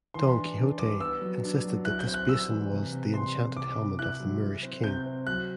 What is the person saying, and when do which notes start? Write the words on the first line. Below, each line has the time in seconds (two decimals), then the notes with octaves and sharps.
Don Quixote insisted that this basin was the enchanted helmet of the Moorish king.
0.14 E3 C6
0.36 D4
0.57 D4
0.79 G3 D6
1.00 B3 E6
1.22 F#3
1.44 D4
1.64 F#3
1.85 E4 F#6
1.99 G6
2.06 C4
2.14 F#6
2.28 G3 E6
2.50 E3
2.71 C3
2.92 C3
3.13 G3 C6
3.35 C3
3.56 C3 D6
3.78 C4
3.99 E4 F#6
4.20 F#3
4.42 E4
4.63 C4
4.84 C3 G6
5.06 C4
5.27 F#3 F#6